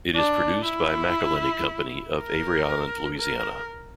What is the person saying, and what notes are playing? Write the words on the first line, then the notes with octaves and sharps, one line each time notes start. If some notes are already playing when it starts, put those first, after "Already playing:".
It is produced by McIlhenny Company of Avery Island, Louisiana.
D4
E4
A#4
A#4